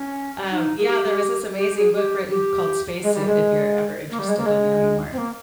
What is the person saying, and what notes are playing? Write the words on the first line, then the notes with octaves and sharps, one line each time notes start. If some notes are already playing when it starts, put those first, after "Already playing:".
um, yeah, there was this amazing book written called Spacesuit if you're ever interested in knowing more.
Already playing: C#4
D#4
G#4
G4
G4
G#4
G4
G4
G#3
G3
G#3
A#3
G3
G#3
A#3
G#3
C4
A#3